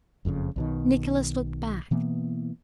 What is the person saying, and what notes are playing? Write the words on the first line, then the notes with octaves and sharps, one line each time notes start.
Nicholas looked back.
F#1 F2 G#2 C#3
B1 B2 D#3
B2 E3 A#3 B3